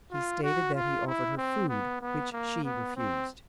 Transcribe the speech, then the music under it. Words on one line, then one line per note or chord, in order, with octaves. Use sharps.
He stated that he offered her food, which she refused.
F4
F#4
F4
E4
C4
B3
B3
A#3
B3
C4